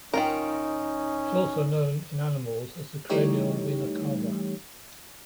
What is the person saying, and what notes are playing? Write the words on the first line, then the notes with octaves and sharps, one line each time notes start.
It's also known in animals as the cranial vena cava.
D1 D#3 C#4 D#4 F4 A#4
E3 G3 A3 D#4 G4 C#5